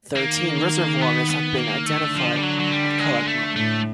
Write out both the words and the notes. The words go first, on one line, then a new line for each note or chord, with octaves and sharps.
Thirteen reservoirs have been identified at Calakmul.
D#3 A#3
B3
B3
A#3
D3 A3
F3
G3
F#3
F#3
G3
G#3
A3
A2 A3